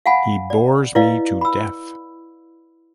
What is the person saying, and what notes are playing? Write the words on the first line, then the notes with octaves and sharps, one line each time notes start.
He bores me to death.
F5 F#5 G#5 B5
D5
E4 B4 D5 D#5 F5
B5 E6